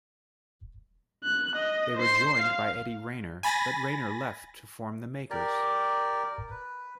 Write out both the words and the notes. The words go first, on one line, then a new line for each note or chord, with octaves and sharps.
They were joined by Eddie Rayner, but Rayner left to form The Makers.
F#6
D#5
C5 C7
F5
G#5 B5 A6 A#6
G4 A#4 D5
B4